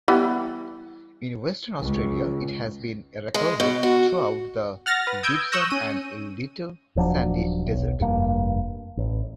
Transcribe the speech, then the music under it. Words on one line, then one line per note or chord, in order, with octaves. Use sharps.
In Western Australia it has been recorded throughout the Gibson and Little Sandy Desert.
E3 G3 B3
C#2
G#3
B2
F#4
F#5 F6 A6 A#6
B4
D#6 E6 G6 G#6 D7
C#6 D#6 E6 F#6 G6 A#6
C#4 D#7
D#1 F3 F#3 D4
B1
F1 G2 A#3
A1